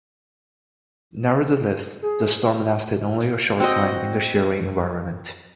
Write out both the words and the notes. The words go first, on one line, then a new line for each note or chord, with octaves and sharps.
Nevertheless, the storm lasted only a short time in the shearing environment.
G#4
C4 F#4 D#5